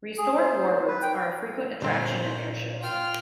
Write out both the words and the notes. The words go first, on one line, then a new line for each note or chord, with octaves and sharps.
Restored warbirds are a frequent attraction at airshows.
G#4
C5
B4
G5
G1 A#2 C4 C5 C#5 A#5
F4 G5 F6